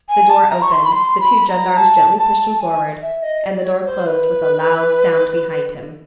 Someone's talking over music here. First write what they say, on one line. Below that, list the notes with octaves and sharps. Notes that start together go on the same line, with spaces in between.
The door opened, the two gendarmes gently pushed him forward, and the door closed with a loud sound behind him.
G#5
A5
A#5
C#6
C6
B5
C6
B5
A#5
A5
A5
G#5
E5
D#5
D5
C#5
C5
B4